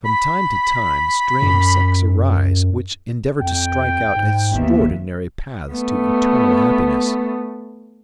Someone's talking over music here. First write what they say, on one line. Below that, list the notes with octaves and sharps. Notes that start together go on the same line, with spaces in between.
From time to time strange sects arise, which endeavor to strike out extraordinary paths to eternal happiness.
B5
F#2
F2 G5
G#2
G#1 D#2 B3 E5
A3 B3